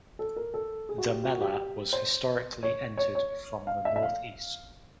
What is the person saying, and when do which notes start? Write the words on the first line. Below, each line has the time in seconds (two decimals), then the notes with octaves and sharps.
The Mellah was historically entered from the northeast.
0.19 A4
0.36 A#4
0.54 A4
0.89 G#4
0.98 F#4
1.07 G4
1.24 F#4
1.41 G4
1.93 C5
2.63 C#5
2.97 C#5
3.15 C#5
3.67 F5
3.85 E5
3.96 E5
4.03 F5